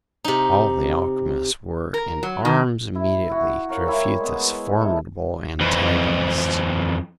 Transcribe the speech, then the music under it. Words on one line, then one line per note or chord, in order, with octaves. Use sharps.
All the alchymists were in arms immediately, to refute this formidable antagonist.
C3 D#4
A#4
F#3
D#3
E4
E4 F#4
A#4 C#5 F5
G3 E4
G#3 B3
E4 A4
F2 E3